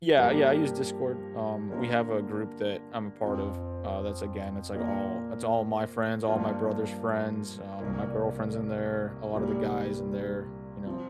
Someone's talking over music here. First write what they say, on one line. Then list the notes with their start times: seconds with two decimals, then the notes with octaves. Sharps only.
Yeah, yeah, I use Discord. Um, we have a group that I'm a part of, uh, that's, again, it's, like, all it's all my friends, all my brother's friends, um, my girlfriend's in there, a lot of the guys in there, you know,
0.17 G2 F3 A#3 G4 A#4
1.69 D3 A#3 D4 F4 A#4
3.22 F2 F3 C4
4.75 A#2 A#3 F4 A#4
6.28 G2 F3 A#3 F4
7.80 C2 A#2 A#3
9.33 C2 A#2 G3 A#3 G4
10.85 F3 C4